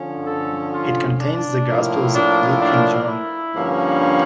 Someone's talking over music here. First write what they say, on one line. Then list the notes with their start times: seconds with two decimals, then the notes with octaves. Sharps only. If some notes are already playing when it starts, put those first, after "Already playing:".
It contains the Gospels of Luke and John.
Already playing: D3 F3 C#4
0.26 A4
0.73 F4
1.21 D4
1.67 A2 F3 A#3
2.14 D4
2.61 D4
3.08 E4
3.55 G2 D3 F3 A#3 C#4